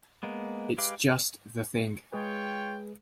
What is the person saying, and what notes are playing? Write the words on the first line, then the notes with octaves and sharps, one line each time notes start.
It's just the thing.
G#3 A#3 B3
G#3 G4 B4 F5 D6
G#3 F4 G#4 B4 C#5 G5